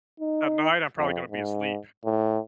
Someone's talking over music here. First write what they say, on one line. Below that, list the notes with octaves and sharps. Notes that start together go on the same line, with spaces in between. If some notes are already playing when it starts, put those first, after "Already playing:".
at night, I'm probably gonna be asleep.
D#4
F2
G#2
A2